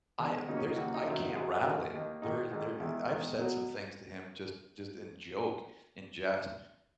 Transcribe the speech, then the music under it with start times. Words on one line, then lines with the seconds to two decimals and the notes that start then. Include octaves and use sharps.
I there's I can't rattle him. There there I I've said some things to him just just in joke, in jest,
0.19 E2 D#3 G#3
0.47 D#2 C#3 F#3 A#3 D#4
0.57 C#4
0.67 D#4
0.76 D#2 C#3 F#3 A#3 F#4
0.94 D#4
1.06 F#2 D#3 F#3 E4
1.35 F#2 D#3 F#3 G#4
1.64 D#2 D#3 A#3 F#4
1.93 D#2 D#3 A#3
2.22 G#1 G#2 D#3 D#4
2.52 G#1 G#2 D#3
2.80 E2 D#3 G#3 E4
3.10 E2 D#3 G#3
3.38 B2 F#3